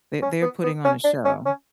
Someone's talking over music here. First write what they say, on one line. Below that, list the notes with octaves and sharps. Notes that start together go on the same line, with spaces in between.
They're they're putting on a show.
C#4
B3
B3
C#4
D4
C#4
C#4